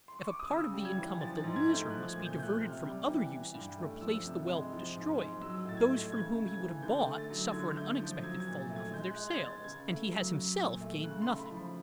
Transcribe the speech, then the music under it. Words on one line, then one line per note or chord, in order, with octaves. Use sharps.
If a part of the income of the loser must be diverted from other uses to replace the wealth destroyed, those from whom he would have bought suffer an unexpected falling off of their sales, and he has himself gained nothing.
C6
C#6
D6
D#6
C#3 E6
G3
G#6
E3
F3 A6
A6
G#2
G#6
A3
G6
F3 F#6
G#6
A#2
G6
A3 G6
F#6
C3 F6
G3
E3
E3
G2
A3
F3 E6
C3
G#3
F3
G#2
G#3
F#3 E6
A2 A6
G#6
A3
C#3 G#6
A3
G#6
E3
D3 G6
A3
A6
F#3
D3 G#6
A3 G6
F3 G6
F#3 G#6
G#6
A#2
A6
A3
G#6
G#3 G6
F#6
G#3
G#6
B2
A6
C#3 G#6
A3
F#3
F#3
A#2
A3
C#3 F#6
C6
A3
B5
F3
B5